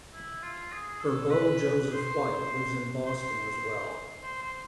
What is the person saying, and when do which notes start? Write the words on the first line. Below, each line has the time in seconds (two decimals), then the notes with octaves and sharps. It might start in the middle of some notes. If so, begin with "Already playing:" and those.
Her beau Joseph White lives in Boston as well.
0.14 E4
0.43 F4
0.72 G#4
1.00 A4
1.30 B4
1.89 C5
3.05 C5
4.22 C5
4.42 C5